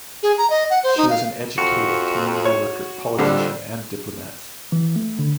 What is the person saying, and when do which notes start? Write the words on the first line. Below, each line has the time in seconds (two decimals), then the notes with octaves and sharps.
She was an educator, community worker, politician, and diplomat.
0.23 G#4
0.38 A#5
0.50 D#5
0.70 F#5
0.84 C5
0.97 D#4
1.10 F5
1.58 F2 F#4
2.45 C#5
3.18 F2 D3 G3
4.72 E3
4.96 A3
5.19 D3